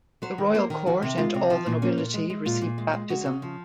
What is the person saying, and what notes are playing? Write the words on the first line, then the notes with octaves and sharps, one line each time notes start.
The royal court and all the nobility received baptism.
F#3 C5
D#3
A#3 C5
D#3
D#3 F#4
C3
G#3 F4
C3
F3
A#2
A#3 C#4
A#2
G#3
G#3
A#2 F4
A#2
G#3
G#3
C#3 F#4
C#3
F3